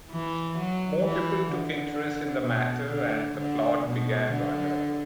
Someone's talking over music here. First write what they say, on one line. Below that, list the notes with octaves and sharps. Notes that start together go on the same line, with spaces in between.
More people took interest in the matter and the plot began to unravel.
E3
F#3
E3
D3
B2
D3
D3
B2
D3